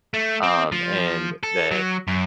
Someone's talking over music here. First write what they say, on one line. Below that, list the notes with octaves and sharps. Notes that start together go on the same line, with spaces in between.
um, and the
A3
C4
F3
A4
F#3
F#2